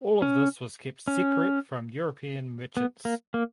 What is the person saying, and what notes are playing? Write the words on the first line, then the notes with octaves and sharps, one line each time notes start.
All of this was kept secret from European merchants.
C#4
C#4
B3
A#3
A#3